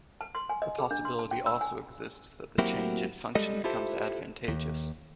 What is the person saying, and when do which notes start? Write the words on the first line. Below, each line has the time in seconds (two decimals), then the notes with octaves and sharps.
The possibility also exists that the change in function becomes advantageous.
0.21 A5
0.35 C6
0.50 G#5
0.62 D#5
0.78 G#4
0.91 D4
1.05 C6
1.19 A5
1.31 G5
1.46 E6
1.61 G#5
2.58 F#3 A#3 C4 E4 F#4 G4
3.35 G3 G#3 A4 D#5
3.64 E4 F4 G4 A4 C5 E5
4.48 D#2